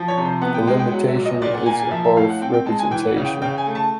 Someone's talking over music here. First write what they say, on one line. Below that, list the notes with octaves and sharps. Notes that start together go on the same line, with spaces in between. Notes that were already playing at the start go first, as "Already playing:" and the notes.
The limitation is the Hopf representation.
Already playing: F3
C#5
C3
C5
B3 F#5
G5
G#3 G5
G5
F#3 F#5
E5
A#2
D#5
A#2 D5
F#5
A#3 G#5
G#5
F3 E5
E5
A2 F5
F#5
C4 G5
G5
G#3 A5
G#5
E3 G5
F#5
C#3
G5
C#3 G5
G#5
A3
A5